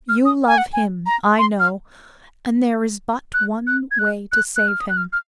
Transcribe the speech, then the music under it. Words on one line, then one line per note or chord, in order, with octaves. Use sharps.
You love him, I know, and there is but one way to save him.
F6
D#6
G#5
F#5
G#5
A#5
C6
F6
F#6
F#6
G#6
F#6
F#6
F#6
F6
D#6
F#6
F6
F6